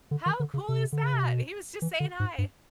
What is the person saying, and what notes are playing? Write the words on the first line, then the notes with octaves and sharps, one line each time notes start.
How cool is that? He was just saying "Hi!" and
D3
D#3
D3
C#3
C3
D3
C#3
C3
B2
E3
D3
G#2
G2